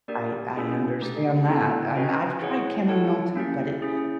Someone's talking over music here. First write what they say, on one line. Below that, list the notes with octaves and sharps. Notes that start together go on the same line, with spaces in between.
I I understand that. And I've tried chamomile too, but it
A#3 D4 G4 A#4 D5
A#3 C#4 E4 G#4
A3 D4 G4
B3 E4 A4
C#4 F#4 B4 D#5 G5
E4 G#4 C#5 F#5
E4 A4 C#5 F#5 A5
A#3 C#4 E4 G4
C#4 E4 G#4